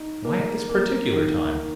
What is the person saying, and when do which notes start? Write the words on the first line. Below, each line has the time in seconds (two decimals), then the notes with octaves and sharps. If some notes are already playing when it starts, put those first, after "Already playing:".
"Why at this particular time?"
Already playing: D#4
0.25 A#3
0.69 A#3
1.13 D#3
1.58 D#3